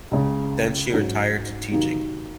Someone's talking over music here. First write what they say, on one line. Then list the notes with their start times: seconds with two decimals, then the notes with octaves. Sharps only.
Then she retired to teaching.
0.11 C#2 C#3 G#3
0.92 G#2 F#3 C#4
1.71 C3 D#3 F#3 A#3 D#4